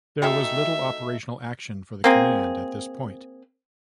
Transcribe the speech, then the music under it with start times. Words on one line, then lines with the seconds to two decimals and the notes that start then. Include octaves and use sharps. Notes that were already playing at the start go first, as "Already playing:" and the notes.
There was little operational action for the Command at this point.
0.22 A3 D#4 F#4 A4 E5 G5 G#5
2.04 A#3 C4 G#4